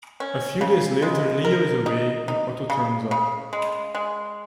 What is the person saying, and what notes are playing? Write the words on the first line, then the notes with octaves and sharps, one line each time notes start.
A few days later, Leo is away, and Otto turns up.
C#4
C#3
G#3
A#4
D#4
D#4
C#3
C#3
G#3
G#3